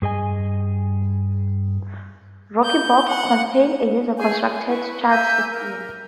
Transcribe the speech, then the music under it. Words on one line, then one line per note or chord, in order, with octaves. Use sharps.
Rokenbok contains a user-constructed chute system.
G2 G#4 D#5 G#5
G6
F#5
G#4 G#5 G6
G#5
E4 B4 C#6
E5 G#5 E6 G6
A#4